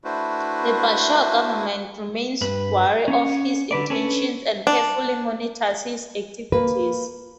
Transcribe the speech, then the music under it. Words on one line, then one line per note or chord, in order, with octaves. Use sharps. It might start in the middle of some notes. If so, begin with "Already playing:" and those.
The Bashar government remains wary of his intentions and carefully monitors his activities.
A3 D4 E4 F#4 B4 C5
G2 B4
C#4 C#5
D3 B4 D5
C#4 D4 A4 B4 C#5
D4
A#3 B4